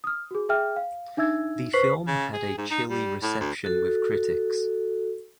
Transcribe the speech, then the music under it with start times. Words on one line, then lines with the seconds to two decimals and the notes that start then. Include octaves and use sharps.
The film had a chilly reception with critics.
0.04 D#6 F6
0.31 F#4 G#4
0.49 G#4 E5 G5 F6
0.76 F5
1.17 D4 D#4 E5 E6 G#6
1.73 B4 C5 C#6 B6 C7 F#7
2.07 C#3
2.34 G#4
2.58 G#2
2.71 D#4
2.90 G3
3.23 A2
3.41 D2
3.64 F#4 A4